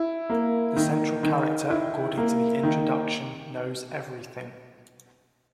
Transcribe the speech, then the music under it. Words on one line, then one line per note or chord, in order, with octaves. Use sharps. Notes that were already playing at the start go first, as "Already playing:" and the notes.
The central character, according to the introduction, knows everything.
Already playing: E4
A#3
D#3
D#3
E4
A#3
D#3